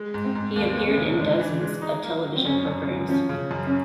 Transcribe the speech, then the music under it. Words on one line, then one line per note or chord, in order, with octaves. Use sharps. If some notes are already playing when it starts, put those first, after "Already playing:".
He appeared in dozens of television programs.
Already playing: G#3
G#2
C4
G#2
D#2 A#3
B3
D#2
C#4
C#3
D#4
G#2 D4
E3
G#3
D#4
A#3
F#3
C4
F#2 C#4
F#2
F#3
F3 C#4
C#3
F#2
C#4